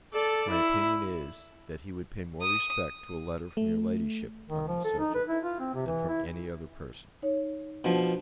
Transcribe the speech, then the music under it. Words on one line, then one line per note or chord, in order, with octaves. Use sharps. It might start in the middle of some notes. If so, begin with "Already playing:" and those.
My opinion is, that he would pay more respect to a letter from your Ladyship upon this subject, than from any other person.
A4 D5
E4
D#6
A3
D#3
F3
A4
D#4
B4
E4
F4
C4
C3
E3
E4
D#4 C#5
B2 F3 D4